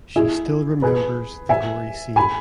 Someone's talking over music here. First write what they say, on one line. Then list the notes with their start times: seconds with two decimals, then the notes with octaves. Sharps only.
She still remembers the gory scene.
0.16 E4 G#4
0.82 G#4 B4
1.49 E5 G#5
2.16 G#5 B5